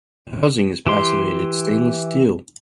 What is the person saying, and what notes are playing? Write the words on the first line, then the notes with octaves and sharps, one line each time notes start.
The housing is passivated stainless steel.
E3 G4 C6